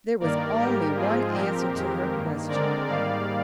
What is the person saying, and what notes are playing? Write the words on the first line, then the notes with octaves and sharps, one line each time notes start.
There was only one answer to her question.
G2 D#3 A#3 A#4 D5
G#2 G3 A#3 G4 A#4
G#2 F3 G#3 C4 F4 G#4
A#2 F3 C4 G4 A#4
F2 D#3 G#3 C4
G2 D#3 A#3
D3 G#3 C4 A#4 D5
G#2 D#3 G3 A#3 D5 F5